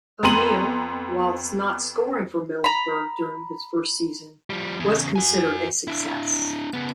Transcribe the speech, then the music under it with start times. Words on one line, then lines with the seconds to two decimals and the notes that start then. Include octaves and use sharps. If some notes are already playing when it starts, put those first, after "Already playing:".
O'Neil, whilst not scoring for Middlesbrough during his first season, was considered a success.
0.23 F2 B3 A#5 C6 D#7 F#7
2.64 A#5 B5
4.50 F3 G3
4.80 E2 C#3
5.16 F#4 G#5
5.88 D4 E4
6.73 C#3 B3